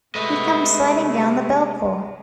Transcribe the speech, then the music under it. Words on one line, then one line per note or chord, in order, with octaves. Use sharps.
He comes sliding down the bell-pull.
C3 G#3 A3 B4 D#5